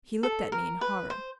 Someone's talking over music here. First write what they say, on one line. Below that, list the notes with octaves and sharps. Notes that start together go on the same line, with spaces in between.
He looked at me in horror.
A4
A#4
B4
C5